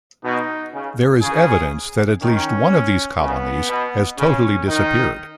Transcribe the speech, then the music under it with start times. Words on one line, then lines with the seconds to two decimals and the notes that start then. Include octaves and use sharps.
There is evidence that at least one of these colonies has totally disappeared.
0.24 B2 D#4
0.73 C#3
1.22 C#3 G#4
2.21 D#3 C#4
3.20 C#3 B3
3.69 B2
4.18 C#3 C#4
4.68 D#3 D#4